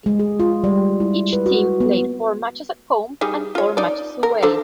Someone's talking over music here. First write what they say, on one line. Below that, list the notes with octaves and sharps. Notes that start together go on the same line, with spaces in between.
Each team played four matches at home and four matches away.
G#3
G#4
F4
G3
E4
B4
F#4
B3
G3 D#4 G#4
F4 C#5
D#4 D5
A#4
D4 A4 C5